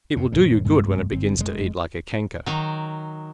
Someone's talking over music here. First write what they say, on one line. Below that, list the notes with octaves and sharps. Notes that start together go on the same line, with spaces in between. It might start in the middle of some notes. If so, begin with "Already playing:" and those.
It will do you good when it begins to eat like a canker!
F#2 C3
D#1 G2 A#2
C2 G2 G#3 B3
G1 C4
F1 F#2 B2 G#3
D#3 F#3